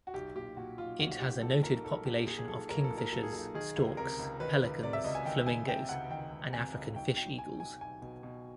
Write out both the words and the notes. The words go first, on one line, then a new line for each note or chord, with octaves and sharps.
It has a noted population of kingfishers, storks, pelicans, flamingos and African fish eagles.
F#4
B1 G4
A#2 G4
A#2 F#4
B1 F4
B1 F#4
F#4
A#2 G4
A#2 A4
B1 A#4
B1 A4
A#2 G4
A#2 G#4
G#4
B1 A4
B1 A#4
A4
A#2
A#4
A#2 A4
G#4
B1 A4
D#3 G#4
C#2
C3 A#4
C#2
D#3 B4
C#2
C3 D5
E5
C#2 D#5
G#5
D#3 G5
C#2 G#5
C3 G5
C#2 F#5
D#3 G5
C#2
C3 G#5
C#2
B1 G5
B2 G5
B2 G#5
B1 G#5
B1 G#5
B2
B2